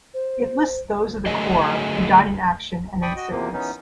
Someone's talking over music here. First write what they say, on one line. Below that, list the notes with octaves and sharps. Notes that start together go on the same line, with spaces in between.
It lists those of the Corps who died in action and in sickness.
C5
D3 F#3 A3 G#4 A#4 D#5
D5 G5 B5 C#6 D#6
F#4 D#5
E2 C3 F3 A#3
E3 B3 C#4 D#4